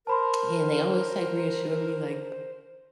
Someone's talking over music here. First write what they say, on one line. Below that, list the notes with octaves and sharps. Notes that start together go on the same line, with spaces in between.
and they always, like, reassure me, like,
A#4 C5 A5 B5 C6